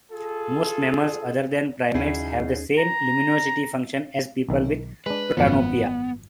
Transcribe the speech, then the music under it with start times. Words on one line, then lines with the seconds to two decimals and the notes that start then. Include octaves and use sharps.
Most mammals other than primates have the same luminosity function as people with protanopia.
0.11 F4 G#4 A4
1.94 D#2 C#3 F#3 C#4 D#4 E4 G#4
2.78 A#5
4.49 B1 D#3 E5
5.06 G#3 D4 B4
5.37 G#1 F#2 F3 B3